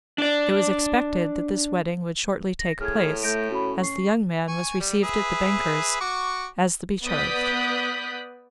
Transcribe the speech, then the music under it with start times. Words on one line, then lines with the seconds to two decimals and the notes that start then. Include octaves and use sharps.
It was expected that this wedding would shortly take place, as the young man was received at the banker's as the betrothed.
0.18 D4 D5
2.59 A#6
2.81 A2 G#4 F6 G#6
3.23 A3 G6 A#6 D7
3.51 C#4 F#4 B5
3.79 C#6 C7
4.48 G#5 C#6
4.80 G3
5.04 G#4 B4 E5
6.00 F#4 C#6 D6
7.04 B3 D5 D#6 F#6 G6 B6